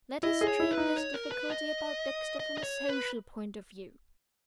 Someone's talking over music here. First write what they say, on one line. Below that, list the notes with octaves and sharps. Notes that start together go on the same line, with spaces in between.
Let us treat this difficulty about Dexter from a social point of view.
E4 D#5
G#4
C#5
E4
B4
D#4
C#5
A#4
B4
D#5
D#5
D#5
C#5
B4